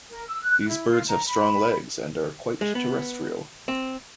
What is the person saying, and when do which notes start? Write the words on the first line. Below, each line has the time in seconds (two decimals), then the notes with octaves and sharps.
These birds have strong legs and are quite terrestrial.
0.10 A#4
0.27 E6
0.42 F#6
0.67 E4
0.89 F4
1.06 A#5
1.26 B5
2.61 G#3
2.75 B3
3.68 C4